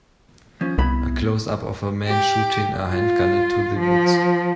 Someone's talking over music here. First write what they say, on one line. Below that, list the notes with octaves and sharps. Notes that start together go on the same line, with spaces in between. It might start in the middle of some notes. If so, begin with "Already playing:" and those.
A closeup of a man shooting a handgun into the woods.
F3 C#4
C2 B3 E4 B5
G4
F4
F3